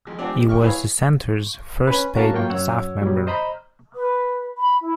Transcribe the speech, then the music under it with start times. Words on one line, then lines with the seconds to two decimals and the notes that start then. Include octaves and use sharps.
He was the center's first paid staff member.
0.07 F2 G#3
0.19 C4 D4 F4 G4 F#5 G#5
0.35 C3 G#3
0.49 G5 C#6 F6
0.60 E4 G#4 B4 C#5 F5
1.87 C#4 B4
2.15 A#3 C#4 F#4 A#4 F5 A5
2.33 F#3 A#3 F4 G5 C#6
2.50 F#2 C#5 F#5 E6
3.02 A#2 F#3 G3
3.27 C5 D#5 A#5 B5
3.95 B4
4.57 B5
4.81 E4